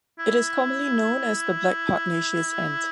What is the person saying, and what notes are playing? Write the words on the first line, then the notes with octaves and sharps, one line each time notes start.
It is commonly known as the black pugnacious ant.
E4